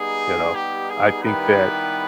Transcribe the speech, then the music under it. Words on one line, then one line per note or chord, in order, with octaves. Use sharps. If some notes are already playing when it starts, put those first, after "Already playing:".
you know? I think that,
Already playing: G3 B3 D#4 G#4
G4
G#4
D#3 G3 B3 E4 G4 B4